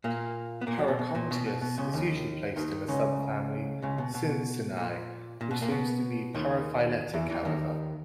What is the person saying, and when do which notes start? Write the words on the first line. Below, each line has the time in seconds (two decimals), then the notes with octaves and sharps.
"Paracontias" is usually placed in the subfamily Scincinae, which seems to be paraphyletic however.
0.04 A#2 A#3
0.61 B3
0.67 A#2 A#3
0.78 F#2 F#3
0.88 B2
0.99 B2
1.15 A#2
1.31 B2
1.46 B2
1.61 B2
1.78 C#2 C#3
1.94 D#2 D#3
2.56 D#2 D#3
2.88 C#2 C#3
3.82 C#2 C#3
3.98 B2
4.14 B2
4.77 A#2
5.41 A#2
5.51 B2
5.61 A#2 A#3
5.71 B2 B3
6.34 D#2 D#3
7.14 E2 E3
7.30 E2 E3
7.45 D#2 D#3